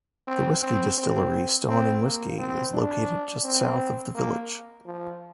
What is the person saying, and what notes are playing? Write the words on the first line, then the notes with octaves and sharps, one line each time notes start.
The whisky distillery Stauning Whisky is located just south of the village.
C4
C4
C4
C4
A#3
C4
D4
C4
A#3
F3